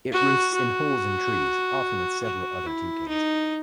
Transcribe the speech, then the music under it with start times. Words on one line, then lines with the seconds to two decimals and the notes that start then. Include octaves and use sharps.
It roosts in holes in trees, often with several other toucans.
0.12 F#4
0.54 F#4
2.23 F#4
2.66 E4
3.08 D#4